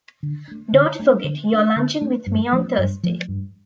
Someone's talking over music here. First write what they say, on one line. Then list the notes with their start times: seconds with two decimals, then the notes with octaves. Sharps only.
Don't forget, you're lunching with me on Thursday.
0.23 D3
0.48 A3 D4
0.73 D3
0.99 A3 D4
1.24 D3
1.50 A3 D4
1.76 D3
2.01 A3 D4
2.27 G2
2.53 F3 A3
2.78 G2
3.03 F3 A3
3.28 G2